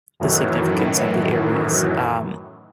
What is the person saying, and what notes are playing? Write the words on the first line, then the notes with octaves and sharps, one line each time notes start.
the significance of the areas. Um,
F#2 A2 D#3 E3 F#3